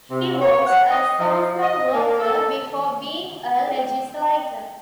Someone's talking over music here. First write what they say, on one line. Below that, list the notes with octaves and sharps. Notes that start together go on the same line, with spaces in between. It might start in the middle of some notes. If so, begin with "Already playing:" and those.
He was a social worker before being a legislator.
C3
C#5
F#5
D#5
F3
D#5
A#3
A4
G5